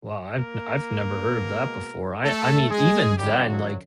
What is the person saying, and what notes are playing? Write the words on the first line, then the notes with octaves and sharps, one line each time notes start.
Well, I've I've never heard of that before, I I mean, even then, like,
A#3 A#4
B2 G#3
A3 A4
G#3 G#4
F#2 D3 F3 G3 G4
F#3 F#4